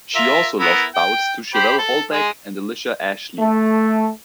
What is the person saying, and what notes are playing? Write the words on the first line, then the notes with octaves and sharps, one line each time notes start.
She also lost bouts to Chevelle Hallback and Alicia Ashley.
F4 A#4 E5
B3 E4 A#4
G5
G4 C5 B5
A4
G#3 G#4
A3